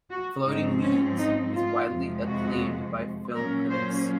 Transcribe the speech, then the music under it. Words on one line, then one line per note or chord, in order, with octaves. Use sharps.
"Floating Weeds" is widely acclaimed by film critics.
F#4
G#2 F3 C4 D#4
C#4
D#4
F4
F2 C3 F3 G#3
F#4
A#2 F#3 A#3 C#4 A#4
C5